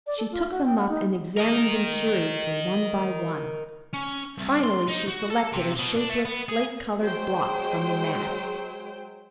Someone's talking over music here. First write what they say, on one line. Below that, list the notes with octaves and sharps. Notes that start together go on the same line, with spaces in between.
She took them up and examined them curiously one by one. Finally she selected a shapeless slate-colored block from the mass.
D5
A4
F4
F#4
G5
F#5
D#4
A#4 D#5
C#4
C2
C6
D#4
F#4
A4
C3
B2
D4
A3
B3
G#4
F#3 G#3 C5 G5